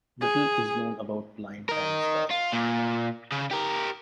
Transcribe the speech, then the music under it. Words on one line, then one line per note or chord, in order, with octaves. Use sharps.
Little is known about Blind Harry's life.
G#4
A#4 D#5
F4
A#2
C#3
G4 A#4